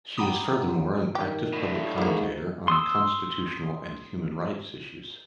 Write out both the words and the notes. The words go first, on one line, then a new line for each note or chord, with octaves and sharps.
She is furthermore an active public commentator on constitutional and human rights issues.
F#5 G5 A#5 B5 D6 D#6
D#3 G4
D2 A2
G#2 A#3 E4
C6 D#6 E6